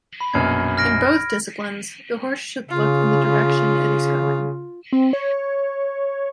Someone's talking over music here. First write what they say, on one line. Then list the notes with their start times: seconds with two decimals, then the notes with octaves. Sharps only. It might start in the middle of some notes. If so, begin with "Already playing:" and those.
In both disciplines, the horse should look in the direction it is going.
0.21 B5
0.33 A#1 F#2 B2 F6 G#6
0.77 F6 A#6 D7
2.69 C#3 F4
4.93 C4
5.13 C#5